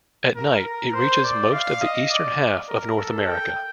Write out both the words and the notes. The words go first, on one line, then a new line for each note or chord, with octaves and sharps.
At night, it reaches most of the eastern half of North America.
A#4
A#4
C5
D5
F5
D#5
D5
A#4
A4
G5